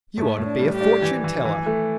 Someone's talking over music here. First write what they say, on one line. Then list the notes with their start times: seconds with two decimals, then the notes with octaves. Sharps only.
"You ought to be a fortune teller."
0.18 A2 A3
0.38 A2
0.45 D4
0.60 G3
0.74 G4
0.81 D4
1.02 E3
1.24 E3
1.45 E3
1.66 A3